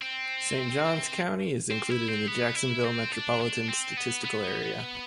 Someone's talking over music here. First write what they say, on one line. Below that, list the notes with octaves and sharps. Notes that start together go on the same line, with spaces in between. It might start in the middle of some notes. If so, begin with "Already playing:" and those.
Saint Johns County is included in the Jacksonville Metropolitan Statistical Area.
C4
C4
E4
C4
B3
E4
C4
D4
D4
C4
B3
B3